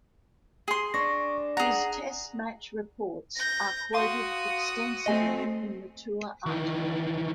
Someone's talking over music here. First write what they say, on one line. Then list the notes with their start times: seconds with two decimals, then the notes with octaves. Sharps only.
His Test match reports are quoted extensively in the tour article.
0.68 G#4 C6
0.94 D4 C#6 A#6
1.57 G#4 F#5 A#5
3.36 G6 A#6
3.94 F#4 F5 C6 D#6
5.06 A3 C4 D#5 G#5
6.46 D#3 E3